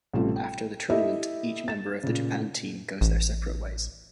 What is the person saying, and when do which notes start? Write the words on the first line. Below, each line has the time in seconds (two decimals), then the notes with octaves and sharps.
After the tournament, each member of the Japan Team goes their separate ways.
0.13 A1 C3 G3 A3 F4
0.36 G5
0.90 E4 G4 A4 D#5 E5
1.68 A6 E7
2.03 A#2 C#3
3.01 A1